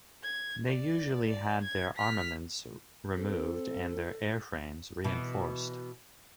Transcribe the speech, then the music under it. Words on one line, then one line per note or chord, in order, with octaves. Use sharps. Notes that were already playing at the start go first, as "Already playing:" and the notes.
They usually had their armaments removed and their airframes reinforced.
G#6
D5
D5
G#6
F6 B6
C4 A4
B2 E3